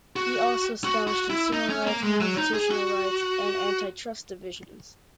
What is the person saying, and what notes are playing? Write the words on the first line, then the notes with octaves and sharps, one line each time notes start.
He also established Consumer Rights, Constitutional Rights, and Antitrust divisions.
F#4
F#4
F#4
E4
D#4
C#4
A#3
G#3
F#3
D#4
G#4
F#4